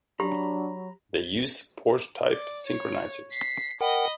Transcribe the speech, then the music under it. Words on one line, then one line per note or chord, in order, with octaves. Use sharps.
They use Porsche-type synchronizers.
F#3 D4 G4 A#5 B5
D5
C#5
B6 C7
A#4 D#5 F#5 G5 B5